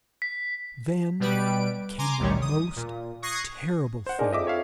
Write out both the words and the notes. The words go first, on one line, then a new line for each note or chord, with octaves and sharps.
Then came the most terrible thing.
B6
B2 G3 B4 D7
G#5 A#5 C6 D6
A1 D2 D#3 G3 C#5
D#6
A#2
C#6 D#6 F#6 G#6 A#6 C7
C5 F#5
D4 D#4 G#4 A#4
F2 D#5 E5 D6
C#5 E5 F5